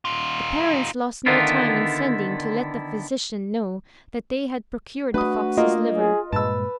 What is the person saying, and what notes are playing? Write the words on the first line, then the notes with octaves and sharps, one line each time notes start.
The parents lost no time in sending to let the physician know that they had procured the fox's liver.
D#4 F4
D3 D#3 B3 E4 F4
A3 D4 F#4 B4 D#6
A#3 F4 D#5
G#4
G2 A#2 G#3 B4 A5 E6